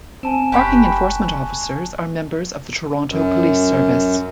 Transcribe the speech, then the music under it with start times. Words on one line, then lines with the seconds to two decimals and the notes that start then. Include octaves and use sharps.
Parking enforcement officers are members of the Toronto Police Service.
0.23 C4 G#5 A5 E7
0.52 F#1 G4 A5 B5 C#6 F#6
3.10 F#2